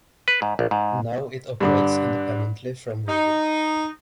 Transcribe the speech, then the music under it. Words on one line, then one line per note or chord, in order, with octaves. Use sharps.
Now it operates independently from Vivo.
B4
G#2
A#1
G#2
G2 D3 D4
D#4